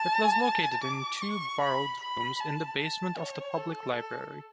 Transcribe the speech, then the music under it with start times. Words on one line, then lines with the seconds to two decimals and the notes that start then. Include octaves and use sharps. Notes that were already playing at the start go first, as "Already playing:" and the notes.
It was located in two borrowed rooms in the basement of the public library.
Already playing: A5
0.84 D6
1.22 C#6
1.61 B5
2.01 B5
2.40 A5
2.80 A5
3.18 C#5
3.57 A4